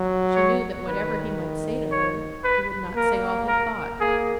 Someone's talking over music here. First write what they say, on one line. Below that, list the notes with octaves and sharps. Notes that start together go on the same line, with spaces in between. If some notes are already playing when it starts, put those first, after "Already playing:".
She knew that whatever he might say to her, he would not say all he thought.
Already playing: F#3
C#5
D#3 B4
C#5
B4
A#3 A#4
A#4
A#3 G#4